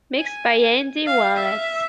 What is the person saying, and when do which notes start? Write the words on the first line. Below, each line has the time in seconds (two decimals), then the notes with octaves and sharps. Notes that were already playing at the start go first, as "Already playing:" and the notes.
Mixed by Andy Wallace.
0.18 G#5
1.07 F5
1.36 E5